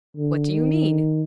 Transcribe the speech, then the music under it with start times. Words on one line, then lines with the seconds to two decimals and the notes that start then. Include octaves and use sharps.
"What do you mean?"
0.17 D3
0.51 D#3